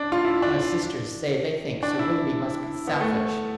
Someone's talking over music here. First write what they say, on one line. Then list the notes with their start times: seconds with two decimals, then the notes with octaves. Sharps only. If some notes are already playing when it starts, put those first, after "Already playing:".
My sisters say they think Sir Willoughby must be selfish.
Already playing: D4
0.12 F4
0.25 E4
0.42 D4
1.83 D4
1.99 E4
2.87 B3
3.01 A3